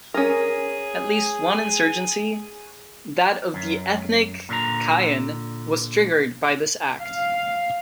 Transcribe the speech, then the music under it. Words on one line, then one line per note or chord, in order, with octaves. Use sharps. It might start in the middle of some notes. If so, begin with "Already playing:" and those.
At least one insurgency, that of the ethnic Kayan, was triggered by this act.
C#4 G#4 A#4
F#2
A#2 D3 A#5
F5